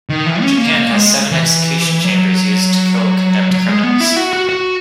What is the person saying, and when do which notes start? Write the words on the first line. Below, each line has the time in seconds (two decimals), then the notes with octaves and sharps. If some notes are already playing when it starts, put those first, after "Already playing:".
Japan has seven execution chambers used to kill condemned criminals.
0.09 D#3
0.26 E3
0.42 C#4
0.58 A#3
0.74 A#3
0.91 G#3
1.31 E3
2.05 F#3
3.51 F#3
3.68 G#3
3.84 B3
4.00 E4
4.16 F#4
4.33 F#4
4.49 F#4